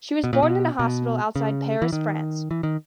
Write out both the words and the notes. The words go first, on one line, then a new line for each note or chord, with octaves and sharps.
She was born in a hospital outside Paris, France.
B2
A#2
B2
B2
C#3
E3
D#3
E3
D#3